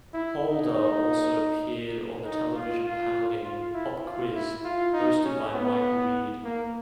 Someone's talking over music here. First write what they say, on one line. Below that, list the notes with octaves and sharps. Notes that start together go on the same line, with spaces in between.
Holder also appeared on the television panel game Pop Quiz, hosted by Mike Read.
E4
D#4
D#4
F4
F4
F4
E4
F4
E4
F4
D#4
C#4
B3
A#3